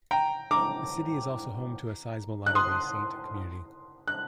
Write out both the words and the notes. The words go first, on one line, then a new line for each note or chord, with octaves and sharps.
The city is also home to a sizable Latter-day Saint community.
G5 A#5
A#5 D6
F#6
C6 D#6
F#6